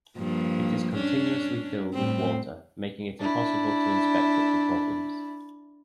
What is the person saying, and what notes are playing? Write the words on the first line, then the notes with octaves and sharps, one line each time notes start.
It is continuously filled with water, making it impossible to inspect it for problems.
G2 F3 A#3
C#4 D4
A2 G3 C4
D4 E4